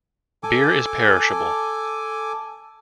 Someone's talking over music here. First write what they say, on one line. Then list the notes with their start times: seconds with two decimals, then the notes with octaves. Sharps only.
Beer is perishable.
0.43 A4 G#5 D6